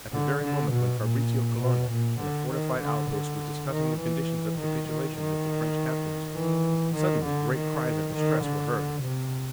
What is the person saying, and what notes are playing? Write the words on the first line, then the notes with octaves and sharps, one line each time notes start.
At the very moment when Fabrizio Colonna in a fortified outpost was discussing the conditions of capitulation with the French captains, suddenly great cries of distress were heard.
D3
D3
B2
A#2
B2
A#2
D3
D#3
D3
D3
D#3
E3
D#3
D#3
D#3
E3
D#3
D3
D#3
D#3
D3
C3